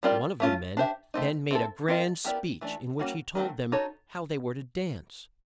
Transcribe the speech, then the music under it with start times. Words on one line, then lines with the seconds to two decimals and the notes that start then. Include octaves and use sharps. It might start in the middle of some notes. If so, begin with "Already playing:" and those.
One of the men then made a grand speech in which he told them how they were to dance.
0.03 G3 C4 F4 A#4 D5
0.40 A3 C#4 F4
0.77 D4 G4 C5 E5
1.14 A3 C4 D#4
1.51 C4 E4 A4
1.88 C4 F4 A#4 D#5
2.25 B3 E4 G4 A#4 D5
2.61 E3 A3 D4
2.99 G3 A#3 C#4 F#4
3.35 D#3 F#3 A3 C4
3.72 D#4 F#4 A4 C#5